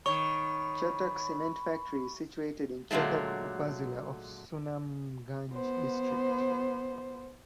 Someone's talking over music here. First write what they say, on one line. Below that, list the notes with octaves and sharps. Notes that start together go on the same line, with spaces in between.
Chhatak Cement Factory is situated in Chhatak Upazila of Sunamganj district.
D#3 C#5 B5 C#6
A#2 D3 F#3 G#3 A3
B3 C5